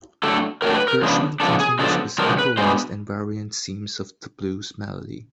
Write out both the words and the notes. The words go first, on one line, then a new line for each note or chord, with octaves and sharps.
Gershwin continues with improvised and variant themes of the blues melody.
A2 F#3 A3 D4 A4
A2 F#3 A3 D4 A#4
B4
A#4
C#3 F3 G#3 B3 D4
C#3 F3 G#3 B3 D4 A4
G#4
C#3 F3 G#3 B3 D4 A4
C#3 F3 G#3 B3 D4 A#4
B4
B2 G#3 B3 D4 C5